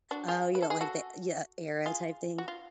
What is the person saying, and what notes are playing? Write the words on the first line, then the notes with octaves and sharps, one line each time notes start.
Oh, you don't like the yeah, era type thing?
D4 F#4
F4 G#4
B4
A4
G#4 B4
F#4 A4
F4 G#4
F#4
F4